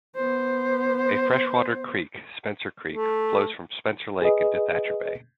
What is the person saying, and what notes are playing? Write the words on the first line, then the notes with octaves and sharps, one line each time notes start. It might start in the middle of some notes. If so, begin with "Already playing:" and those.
A freshwater creek, Spencer creek, flows from Spencer Lake into Thatcher Bay.
B3 C5
A3
G#4 B4 D#5